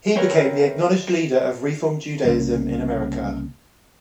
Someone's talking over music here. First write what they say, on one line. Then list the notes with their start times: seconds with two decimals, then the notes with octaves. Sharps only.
He became the acknowledged leader of Reform Judaism in America.
0.15 A#4 B4 C#5 E5 G5
2.25 C2 C#3 A#3